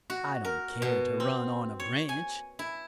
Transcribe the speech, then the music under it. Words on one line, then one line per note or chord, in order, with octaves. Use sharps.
I don't care to run on a branch.
F#4
A#4
B2
C4
C#5
G#5
E4